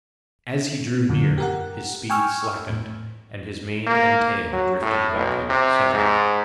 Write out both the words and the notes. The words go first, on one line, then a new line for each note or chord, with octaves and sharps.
As he drew near, his speed slackened, and his mane and tail drifted about him settling.
F#2 D3
G4 A#4 F#5
G5 G#5 C#6 E6 F6
A2
A#3
F#3
A2
B1
C3
G#2